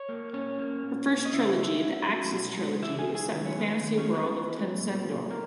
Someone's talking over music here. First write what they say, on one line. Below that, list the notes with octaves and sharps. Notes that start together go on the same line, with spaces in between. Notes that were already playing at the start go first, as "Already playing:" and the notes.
Her first trilogy, "The Axis Trilogy", is set in the fantasy world of Tencendor.
Already playing: C#5
A#3
A#2 C#4 C#5
A#3
A#2
A#2
D#5
C#3 E4 E5
B3
C#4
F#3
B2
G#3
E3 E4 E5
G#4 G#5
C#3
G#4 G#5
D#3 B4
C#5
D#3 B3 B4
D#3
C#4 C#5
G#3
B3 B4
E3
C#4
A#2
A#2
A#3 B3 A#4